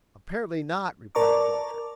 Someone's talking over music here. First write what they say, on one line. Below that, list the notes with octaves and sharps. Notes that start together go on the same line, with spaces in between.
"Apparently not," replied the doctor.
A#4 D5 A5 A#5 C#6 D6